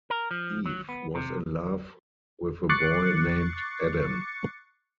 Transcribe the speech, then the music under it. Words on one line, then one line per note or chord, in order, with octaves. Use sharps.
Eve was in love with a boy named Adam.
A#4
F3
F#3
B3
C3
C#6 D6 F#6 A6 C7 C#7